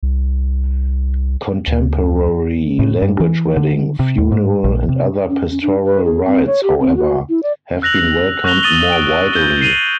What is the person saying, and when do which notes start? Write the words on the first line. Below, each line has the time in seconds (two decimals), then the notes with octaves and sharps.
Contemporary-language wedding, funeral, and other pastoral rites, however, have been welcomed more widely.
0.03 C2
1.67 D2
2.79 A2
3.02 G2
3.20 E3
3.57 D3
4.00 C3
4.18 D#2
4.32 G#2
4.64 A#1
4.89 C3
5.30 C#4
5.50 C#4
5.62 D4
5.84 B4
6.05 G#4
6.26 C4
6.47 C#5
6.63 G4
6.80 C4
6.97 F#4
7.29 E4
7.43 D5
7.82 E6 F#6 A#6 F7 F#7
8.44 C#6 F#6 A#6 F7 G7
8.63 D#6 A6 D#7 F#7 G7
8.92 D7
9.33 G6 G7
9.61 C7 D#7 F7 F#7